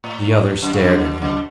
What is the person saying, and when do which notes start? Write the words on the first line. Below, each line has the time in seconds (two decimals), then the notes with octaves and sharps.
The other stared at him.
0.04 A2
0.62 F#2
0.73 G2
0.84 F#2
1.22 F#2